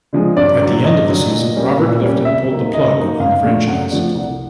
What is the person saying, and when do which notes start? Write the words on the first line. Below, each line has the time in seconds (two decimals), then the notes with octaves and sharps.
At the end of the season, Robert Lifton pulled the plug on the franchise.
0.13 D3 F3 G#3
0.37 G2 D5
0.61 D3 F#3
0.84 G2 D#5
1.07 D3 F#3
1.31 A#2
1.55 G3 A#3 C#4
1.79 A#2
2.02 G3 A#3 C#4
2.25 C#3 E5
2.49 F#3 A#3 D#4
2.72 C#3 D#5
2.96 F#3 A#3 D#4
3.20 F#2 F5
3.44 D3 F3 A3 D4
3.68 F#2 F#5
3.91 D3 F3 A3 D4
4.15 C2